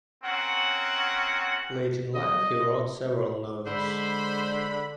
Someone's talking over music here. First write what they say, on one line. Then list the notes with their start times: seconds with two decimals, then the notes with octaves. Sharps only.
Late in life, he wrote several novels.
0.24 A#3 C4 C#4 F#4 F#5
2.15 D#5
3.66 D3 G#3 C5 B5